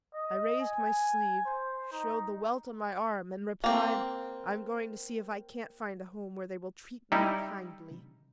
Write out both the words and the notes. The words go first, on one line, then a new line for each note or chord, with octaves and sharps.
I raised my sleeve, showed the welt on my arm, and replied, "I am going to see if I can't find a home where they will treat me kindly."
D#5
G#5
C5
D#4
A#3 C4
G3 D#4 E4